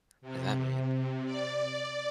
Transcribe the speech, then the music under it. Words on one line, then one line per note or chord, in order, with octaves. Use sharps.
What does that mean?
C3
D5